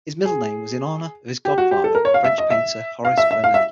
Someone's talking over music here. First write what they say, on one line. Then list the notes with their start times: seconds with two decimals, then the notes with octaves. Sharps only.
His middle name was in honour of his godfather, French painter Horace Vernet.
0.25 G#4
1.45 G4
1.58 F#4
1.71 G4
1.84 A4
1.95 A#4
2.05 C#5
2.14 F5
2.24 E5
2.38 D#5
2.50 E5
3.05 F5
3.18 E5
3.31 E5
3.44 F5
3.54 E5